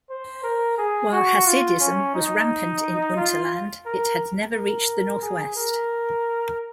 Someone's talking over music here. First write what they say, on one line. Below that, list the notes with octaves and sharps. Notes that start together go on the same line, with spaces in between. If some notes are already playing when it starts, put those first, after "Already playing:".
While hasidism was rampant in Unterland, it had never reached the northwest.
C5
A#4
G#4
F#4
F4
C#4
D#4
F4
A#4
A#4
G#4
A#4